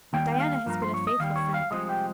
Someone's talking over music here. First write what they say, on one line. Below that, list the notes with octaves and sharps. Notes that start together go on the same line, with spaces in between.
Diana has been a faithful friend.
D#2 D#3 G3 A#3 G5
G5
F5
G2 F3 A#3 A#4
C5
C#5
D#5
D#2 D#3 G3 F5
C#5
F5
C2 C3 F3 G#3 D#5
G4